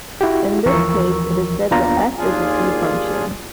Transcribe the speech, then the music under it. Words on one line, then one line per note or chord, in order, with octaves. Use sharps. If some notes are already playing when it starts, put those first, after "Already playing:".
In this case, it is said that "f" is a C function.
E4 F#4 G4
D#2 E3 F3 A#4 C#6 E6
D#2 A#3 B3 D4 F4 A#5
D#2 D4 F4 G#4 G#5